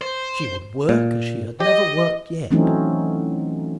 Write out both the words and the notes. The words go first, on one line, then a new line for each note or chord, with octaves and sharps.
She would work as she had never worked yet.
C5
A#2
G4 D#5
E3 F#3 A3 C4 C#4 D#4